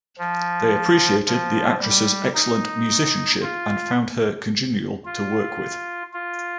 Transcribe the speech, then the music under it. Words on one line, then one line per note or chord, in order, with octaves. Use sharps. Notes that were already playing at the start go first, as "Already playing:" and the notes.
They appreciated the actress's excellent musicianship and found her congenial to work with.
F3
F3
G3
D#4
F4
F4
F4